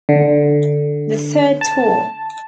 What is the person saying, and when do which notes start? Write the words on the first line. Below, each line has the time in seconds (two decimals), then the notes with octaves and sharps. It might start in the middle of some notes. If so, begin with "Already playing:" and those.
The third tour.
0.09 D3
1.61 A5